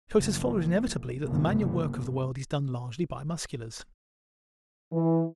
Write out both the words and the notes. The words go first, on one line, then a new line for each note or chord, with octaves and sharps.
So it has followed inevitably that the manual work of the world is done largely by Musculars.
F#1 F3
F#1 C2 G2 A#2 C#3 B3
E3